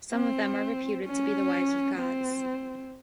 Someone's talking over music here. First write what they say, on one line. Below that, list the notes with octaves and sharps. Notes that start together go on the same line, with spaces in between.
Some of them are reputed to be the wives of gods.
C4
C#4
C4